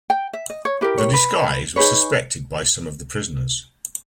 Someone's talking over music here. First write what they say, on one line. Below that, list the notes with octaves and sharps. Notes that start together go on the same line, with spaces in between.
The disguise was suspected by some of the prisoners.
G5
E5
D#5
C#5
E4 G4 A#4 B4
C#5
B4
D#4 G#4 B4 C#5